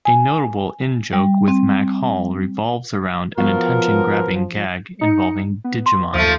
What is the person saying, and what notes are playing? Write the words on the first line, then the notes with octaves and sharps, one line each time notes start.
A notable in-joke with Mac Hall revolves around an attention grabbing gag involving "Digimon".
G#5
G3
C4
F3 B3 F4 F#4 A#4
D#4 C#7
B3
C6
D#2 F3 A3